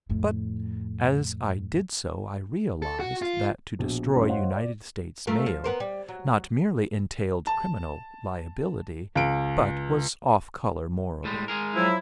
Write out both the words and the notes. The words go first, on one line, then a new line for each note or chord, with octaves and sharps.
But as I did so I realized that to destroy United States mail not merely entailed criminal liability, but was off color morally.
F2 A2
A4
F#4
F4
A#1 B2
D#1 F#2 C#4 D4 C6
C5 C#5 D#5 F5 F#5 C6
D5
A3 F4 A#4
F3
B3 A#4 C5
G3
F#3
A5
C#2 D7
A2 G3 G#3
G#3 G#4 A#4
F3 F#3 E4